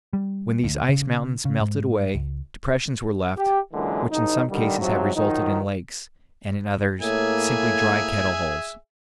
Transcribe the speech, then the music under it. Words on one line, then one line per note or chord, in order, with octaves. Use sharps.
When these ice mountains melted away depressions were left which in some cases have resulted in lakes, and in others simply dry kettle holes.
G3
D2
C#3
C#3
G#2
C#2
G4
F#2 A#2 D3 E3 G#3
A1 D#4
D3 D#3 G3
G#2 C3 F3 F#3
D#3 F3 F#3 D#4
A2 A#3 G#4 E5 G#5